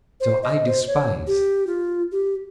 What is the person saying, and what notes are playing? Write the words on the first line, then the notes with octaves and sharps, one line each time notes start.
So I despise.
C5
D#5
C5
C#5
G4
F4
G4